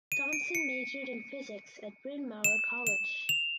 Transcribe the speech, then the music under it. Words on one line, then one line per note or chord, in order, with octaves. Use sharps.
Thompson majored in physics at Bryn Mawr College.
D#7
D7
C#7
E7
E7
F7